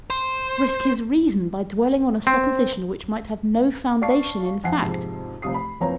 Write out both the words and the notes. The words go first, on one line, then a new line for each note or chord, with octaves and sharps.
Risk his reason by dwelling on a supposition which might have no foundation in fact?
C5
C4 C5
D5 F5 A5 C#6 C7
F2 F3 F#5 G#5 C7
F2 G#2 C3
F1 C2 C3 F4 D#6 C7
B5
F#1 F3 C4 B4 C#5 A#5